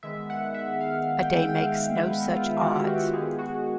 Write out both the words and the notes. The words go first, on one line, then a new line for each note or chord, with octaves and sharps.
A day makes no such odds.
D#3 G#3 B3 E5
F#5
E5
F5
G5
G5
F5
B4
F4
F#4
G4
F#4
G4
D#3 G#3 B3 G#4
F#4